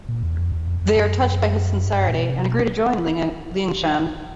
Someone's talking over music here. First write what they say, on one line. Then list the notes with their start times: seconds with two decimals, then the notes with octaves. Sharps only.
They are touched by his sincerity and agree to join Liangshan.
0.08 A#2
0.23 E2
0.38 F2
0.52 E2
0.67 F2
0.81 F2
0.97 F#2
1.85 G2
2.08 A#2
2.15 B2
2.30 C3
2.44 B2